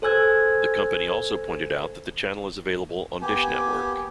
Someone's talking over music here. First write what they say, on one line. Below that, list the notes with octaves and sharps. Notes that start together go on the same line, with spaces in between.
The company also pointed out that the channel is available on Dish Network.
A4 C5 G#5 E6 G#6
A#3 B3 G4 G#5